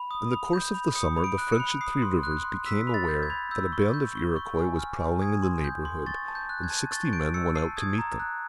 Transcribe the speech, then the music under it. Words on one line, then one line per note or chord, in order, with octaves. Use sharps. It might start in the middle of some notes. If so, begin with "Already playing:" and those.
In the course of the summer, the French at Three Rivers became aware that a band of Iroquois was prowling in the neighborhood, and sixty men went out to meet them.
Already playing: B5
D#6
B5
G6
B5
D#6 C#7
B5
D7
F#6
C#7
B5
D#6 C7
C6
F#6
C6
E6 B6
B5
A6
G6
G#6
B5
E6 G6
C#6
G6
C#6
C#6
G#5
F6
G#5
D#6 G#6
C6
G6
C6
C#6 A6
A5
G6
F#6
G#6
A5
C#6 A6
G6 D7
E6 C#7
A5 C7
D#6 G#6
A#5
F#6